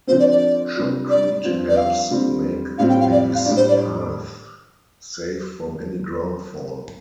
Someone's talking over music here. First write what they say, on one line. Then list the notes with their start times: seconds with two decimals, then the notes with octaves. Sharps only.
Shotcrete helps make these paths safe from any ground fall.
0.07 D3 F3 C4 C5
0.19 D5
0.30 D5
0.75 C3 G3 D4 F4
1.09 D5
1.44 G2 F3 C4 F4
1.68 D5
1.77 F5
2.10 D3 G3 C4 F4
2.78 A2 G3 C4 F4 F5
2.89 G5
3.00 F5
3.12 D5
3.35 F5
3.45 A2 G3 D4
3.56 C5
3.68 D5